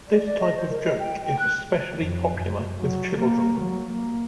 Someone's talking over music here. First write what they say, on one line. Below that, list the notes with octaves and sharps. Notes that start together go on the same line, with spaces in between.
This type of joke is especially popular with children.
D5
D5
D#5
C5
A#4
D#5
G5
G5
F#6
F2
F#2
F#3
A#3
F#3
A#3